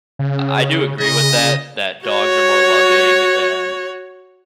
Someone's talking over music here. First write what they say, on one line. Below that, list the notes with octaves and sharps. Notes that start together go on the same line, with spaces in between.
I I do agree with that, that dogs are more loving, and
C#3
C#3 D#5
F#4 C#5